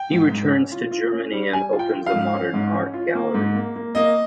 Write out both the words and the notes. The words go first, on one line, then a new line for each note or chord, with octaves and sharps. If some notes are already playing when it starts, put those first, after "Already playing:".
He returns to Germany and opens a modern art gallery.
Already playing: G5
G#2
G#2
C#4
F4
F4
C#4
G3
G3 G#5
F4
G5
F4
F5
G#2
C#4
G#2
C#4
F4
A#3
G#2
A#3
A#3
A#3 D#5